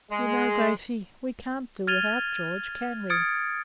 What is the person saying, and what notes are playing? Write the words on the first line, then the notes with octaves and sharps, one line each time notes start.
'You know, Gracey, we can't do without George, can we?
G#3
F6 G#6 A6 D#7 F7 G7
D#6 F6 G#6 A6 C#7 D7